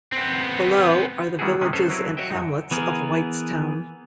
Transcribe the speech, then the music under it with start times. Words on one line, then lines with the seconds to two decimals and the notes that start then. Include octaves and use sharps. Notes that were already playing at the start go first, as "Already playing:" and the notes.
Below are the villages and hamlets of Whitestown.
0.12 B3 C4
1.39 D#3 G3 B3 E4 F#4 G#4
1.61 C3 D#3 G#3 C#4 G#4
1.73 C#4 A4 B4 C5
1.89 F#3 C4 E4 A#4 B4
2.17 F#4 C#5 D#5 E5 G5
2.30 F#2 D#4
2.71 E3 B3 G#4 A#4